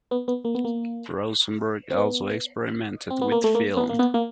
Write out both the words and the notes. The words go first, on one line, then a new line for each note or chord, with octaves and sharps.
Rosenberg also experimented with film.
B3
B3
A#3
B3
A#3
C4
B3
C4
B3
A#3
A3
A#3
B3
A#3
B3
A#3